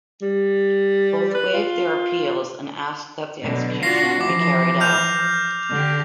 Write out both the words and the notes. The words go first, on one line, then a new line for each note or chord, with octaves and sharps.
Both waived their appeals and asked that the execution be carried out.
G3
B4
F4
B2 D3 F#3
D4 F4 F#4 A#6 C7
E3 F3 D6
F6 G6 F7
D3 G4